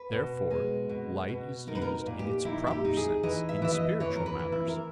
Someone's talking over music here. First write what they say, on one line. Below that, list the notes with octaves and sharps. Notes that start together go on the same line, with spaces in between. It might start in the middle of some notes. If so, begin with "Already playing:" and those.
Therefore light is used in its proper sense in spiritual matters.
Already playing: B4
B2
G#3
B2
B2
D#4 A#4
B4
A#4
A#2
G4
D#4 E4
E4
G4
D#4
G#4
E3 D#5
E5
E3 E5
D#5
E3 C#5
A#4
B4
E3
E4
A#4